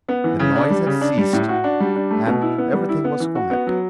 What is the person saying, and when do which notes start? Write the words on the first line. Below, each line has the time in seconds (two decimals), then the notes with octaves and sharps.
The noise had ceased, and everything was quiet.
0.09 B3
0.24 E3
0.39 C#3
0.55 D4
0.70 G3
0.86 C#3
1.01 D4
1.17 G3
1.33 A2
1.49 F#4
1.64 D4
1.80 G3
1.96 D4
2.11 A3
2.27 B2
2.42 E4
2.58 B3
2.73 G3
2.89 E4
3.04 B3
3.20 E3
3.35 F#4
3.51 B3
3.67 F#3